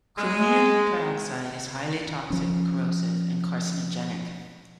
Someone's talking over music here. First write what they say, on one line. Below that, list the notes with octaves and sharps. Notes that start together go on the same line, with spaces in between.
Chromium trioxide is highly toxic, corrosive, and carcinogenic.
G#3
F3 C#4